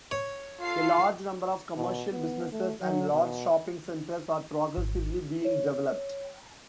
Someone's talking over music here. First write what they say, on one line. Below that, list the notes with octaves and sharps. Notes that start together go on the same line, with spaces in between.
A large number of commercial businesses, and large shopping centers are progressively being developed.
C#5
F4 A4 F5 C7
B2
B3
A3
F#3
B2
G#1
C#5